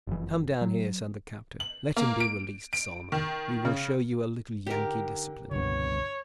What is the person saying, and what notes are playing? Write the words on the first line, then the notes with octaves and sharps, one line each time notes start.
"Come down here," said the captain; "let him be released, Solomon; we will show you a little Yankee discipline."
F#1 F2 E3
F#3
F#7
A#3
D7
D7
D#3
C#3
D3 D#4 G4 A#4
C#2 G2 B2 D3 B3 C#5